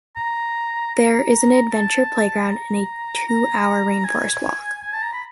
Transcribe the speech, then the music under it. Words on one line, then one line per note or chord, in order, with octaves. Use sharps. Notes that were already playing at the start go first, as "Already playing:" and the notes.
There is an adventure playground and a two-hour rainforest walk.
A#5
A#5
A5
A#5
A#5
G#5
G#5
A5
A#5
B5